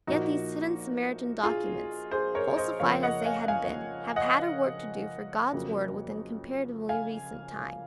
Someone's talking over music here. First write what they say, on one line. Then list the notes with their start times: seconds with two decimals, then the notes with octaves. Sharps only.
Yet these hidden Samaritan documents, falsified as they had been, have had a work to do for God's Word within comparatively recent times.
0.07 A#1 A#2 F3 A#3 D#4 F#4
1.43 F4 G#4
2.11 G#4 C5
2.35 A#4 C#5
2.57 C5 D#5
2.80 F2 C#3 F3 A#3 C#5 F5
3.03 D#5 F#5
3.26 F5 G#5
3.48 F5 G#5
4.16 D#5 F#5
5.53 F2 C#3 F#3 A#3
6.89 F5 G#5